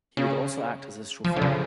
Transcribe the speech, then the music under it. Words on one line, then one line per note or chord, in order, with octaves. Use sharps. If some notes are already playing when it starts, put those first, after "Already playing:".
He would also act as his chauffeur.
C#3
F3
D3
C#3